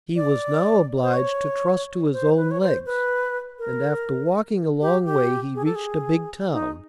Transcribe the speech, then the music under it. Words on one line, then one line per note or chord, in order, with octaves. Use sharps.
He was now obliged to trust to his own legs, and after walking a long way he reached a big town.
D5
C5
C#5
C5
B4
C#5
C5
B4
A#4
G4
G4
G#4
A4
G#4
D#4